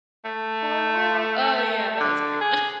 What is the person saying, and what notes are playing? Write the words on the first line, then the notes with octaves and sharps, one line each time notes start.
for well. Oh, yeah, that was a great one.
A3
D3
G#4